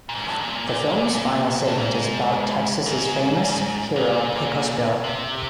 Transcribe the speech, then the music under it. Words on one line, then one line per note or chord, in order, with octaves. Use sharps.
The film's final segment is about Texas' famous hero Pecos Bill.
A#2
G#2
G2
A#2
C3
A#2
A#2
G2
G#2
G#2
A#2
C3